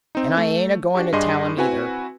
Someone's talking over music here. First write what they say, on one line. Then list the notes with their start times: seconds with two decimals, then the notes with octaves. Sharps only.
And I ain't a-goin' to tell him, either!
0.15 C4 D#4
0.37 A3
0.95 D4 F#4 G4
1.13 G2 D4 G4 G#4 D#5 C6
1.57 C4 E4 F#4 B4 G#5